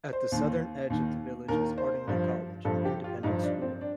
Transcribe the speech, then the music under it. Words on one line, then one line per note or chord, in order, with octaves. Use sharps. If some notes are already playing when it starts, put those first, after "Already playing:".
At the southern edge of the village is Ardingly College, an independent school.
C5
D#2 D#3
D#2 D#3
D#2 D#3 A#4
C5
G2 F3
G2 F3 A4
G4
F4
G2 F3 D#4
D4
C4
D4